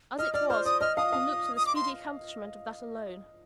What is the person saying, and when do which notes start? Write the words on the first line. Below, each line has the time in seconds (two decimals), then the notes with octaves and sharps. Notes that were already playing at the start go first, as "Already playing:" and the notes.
As it was, he looked to the speedy accomplishment of that alone.
0.18 D#5 F6
0.34 D5 F6
0.50 C5 F6
0.65 D5 D#6
0.81 D#5 F6
0.97 F5 D#6
1.12 F5
1.56 D#6
1.66 D6
1.76 C6